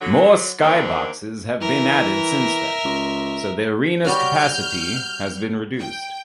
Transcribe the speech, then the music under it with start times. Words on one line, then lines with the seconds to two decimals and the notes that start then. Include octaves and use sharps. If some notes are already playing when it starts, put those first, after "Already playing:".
More skyboxes have been added since then, so the arena's capacity has been reduced.
0.01 D3 F#3
0.62 D#2 D#3 A#3 C4 D4
1.61 E3 A#4 E5
2.85 C#2
4.05 G3 F#4 C#5 F6 G6
5.78 G5